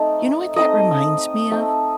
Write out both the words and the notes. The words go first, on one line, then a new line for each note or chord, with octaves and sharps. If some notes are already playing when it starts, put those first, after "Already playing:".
You know what that reminds me of?
Already playing: A3 C4 D#4
A3 C4 D#4 D#5
A3 C4 D#4